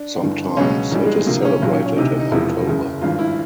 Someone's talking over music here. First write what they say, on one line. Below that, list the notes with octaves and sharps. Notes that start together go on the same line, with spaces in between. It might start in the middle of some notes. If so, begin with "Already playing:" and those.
Sometimes it is celebrated in October.
Already playing: D4
G1 G2 E3
C#2 B2 F#3 C#4
A#1 G#2 E3 G3
G#3
A3
D2 C3 F3 A#3
C#4
B1 A#2 F#3
C#4
C#4
D2 C3 E3 D#4
D#4
E1 E2 C3 F3 E4
F#1 F#2 C#3
G#1 G2 E3 F4
E4